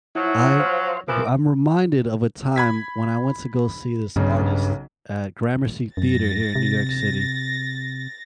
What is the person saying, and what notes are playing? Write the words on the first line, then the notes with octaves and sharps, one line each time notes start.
I w I'm reminded of a time when I went to go see this artist at Gramercy Theater here in New York City
F3 F#3 E4
C5 F5
E3 F3 A#4 D6
B5 G#6 B6
B1 G2 C#3
F#2 A6 A#6
C3